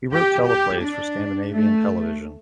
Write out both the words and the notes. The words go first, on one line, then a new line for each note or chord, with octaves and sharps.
He wrote teleplays for Scandinavian television.
G4
G4
D4
A3